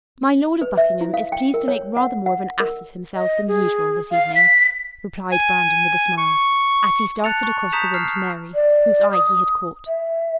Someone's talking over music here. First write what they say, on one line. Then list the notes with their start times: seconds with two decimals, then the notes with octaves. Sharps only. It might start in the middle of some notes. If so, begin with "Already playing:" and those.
"My Lord of Buckingham is pleased to make rather more of an ass of himself than usual this evening," replied Brandon with a smile, as he started across the room to Mary, whose eye he had caught.
0.61 B4
0.77 E5
1.01 E4
1.14 F5
1.32 G5
1.54 A#4
1.68 C#5
1.97 F#5
2.26 F#5
2.60 A#4
3.15 D#5
3.48 G#4
4.11 F5
4.35 B6
5.32 G#5
6.17 C#6
7.24 A5 F#6 A6 C#7 F7
7.43 C#6
7.72 A#5 D#6 G6 B6 E7 F7
7.94 F6 C7
8.55 D5
9.12 D#6
9.87 E5